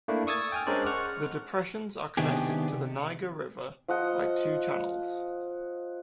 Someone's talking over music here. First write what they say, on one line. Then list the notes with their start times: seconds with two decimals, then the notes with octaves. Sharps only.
The depressions are connected to the Niger River by two channels.
0.08 A3 A#3 D4 E4
0.27 C#6 D#6 E6 G#6 A6
0.52 G5 G#5 F6
0.67 G#3 C#4 D4 A#4 C5 D5
0.86 F#5 C#6 F6
2.17 C3 D#3 B3 D4 G4 G#4
3.88 F3 D#5 F#5